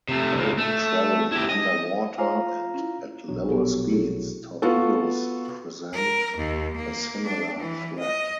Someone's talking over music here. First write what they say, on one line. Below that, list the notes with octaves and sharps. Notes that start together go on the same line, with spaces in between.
Though traveling under water and at lower speeds, torpedoes present a similar threat.
C3 A3
C#2 A#2
A3
E4 G4
D#5
F4 C5 C#5 F5 G#5 A#5
C#4 E4
A#1 B2 F#3 D4
B3 G4 A4
E4 G#4 A4
B3 F4 F#4 A4
A#4
D#2
A#3
D4
E3
D#5